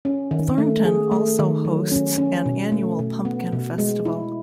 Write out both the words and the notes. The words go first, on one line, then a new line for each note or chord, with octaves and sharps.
Thornton also hosts an annual Pumpkin Festival.
C#4
D#3
A3
G#4
A3
D#3
F#3
C#4
C#4
B2
A3
B2
B3
B2
G#3
E4